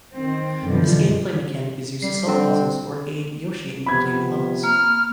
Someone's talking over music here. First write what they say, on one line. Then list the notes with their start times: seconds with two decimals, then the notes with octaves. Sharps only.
This gameplay mechanic is used to solve puzzles or aid Yoshi in completing levels.
0.13 D#3 C4
0.65 F#2 B2 D3 E3 F3
2.02 G3 C7
2.27 D3 C4
3.86 C3 F3 B3 B5 G#6
4.63 A#3 F6